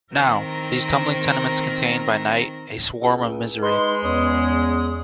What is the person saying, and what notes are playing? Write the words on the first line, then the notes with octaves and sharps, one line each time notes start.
Now, these tumbling tenements contain, by night, a swarm of misery.
D#3 C4 A#4
C#2
G#3 D#4 B4 C6
E2 C#4 D#6